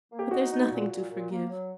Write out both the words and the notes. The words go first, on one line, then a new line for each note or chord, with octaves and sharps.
"But there's nothing to forgive."
A#3
G4
D#4 F#4
D#4
A#2
A#2
A#2
A#3
F#3